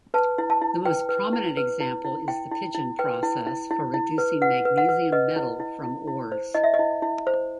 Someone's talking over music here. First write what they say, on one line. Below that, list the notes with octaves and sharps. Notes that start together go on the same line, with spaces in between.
The most prominent example is the Pidgeon process for reducing magnesium metal from ores.
B4 A5
E4
A5
E4
B4 G5
B4
E4
B4
E4
E4
E4 G5
E4
E4
B4 G5
E4
E4
E4
E4
B4
B4 F#5
B4
F#5
B4
B4 D#5
E4
E4
E4
E4
C5
E4 D#5
E5
D#5
E4
E4
C5